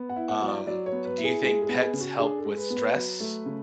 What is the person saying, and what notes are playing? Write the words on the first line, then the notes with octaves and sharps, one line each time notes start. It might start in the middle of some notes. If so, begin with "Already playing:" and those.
um, d do you think pets help with stress
Already playing: B3
F#5
E4
F#5
F#3
D5
F#3 D5
C#5
B3
B4
E4
G#4
G#3 G#4
G#4
B3
G#4
C#3
F#4
D4 G#4
A4
G#3
B4
B3
B4
F#3
A3
C#3